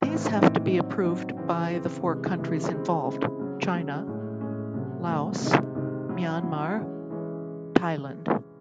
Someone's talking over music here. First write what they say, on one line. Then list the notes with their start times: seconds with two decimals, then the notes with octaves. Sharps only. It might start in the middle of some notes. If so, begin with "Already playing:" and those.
These have to be approved by the four countries involved, China, Laos, Myanmar, Thailand.
0.01 A2 E3 C4 D#4
0.36 A2 E3 C4 D#4
0.69 F#3 C4 D#4
1.03 F#3 C4 D#4
1.37 C#3 E3 C4
1.71 C#3 E3 C4
2.05 C3 E3 G#3
2.38 C3 E3 G#3
2.72 C#3 G#3 C4 E4
3.06 C#3 G#3 C4 E4
3.39 C#3 F#3 C#4
3.73 C#3 F#3 C#4
4.07 A2 G#3 C#4
4.41 A2 G#3 C#4
4.74 C3 F#3 A3
5.08 C3 F#3 A3
5.42 C3 D#3 G#3 D#4
5.75 C3 D#3 G#3 D#4
6.09 F#3 C#4 E4
6.42 F#3 C#4 E4
6.77 E3 G#3 C#4
7.10 E3 G#3 C#4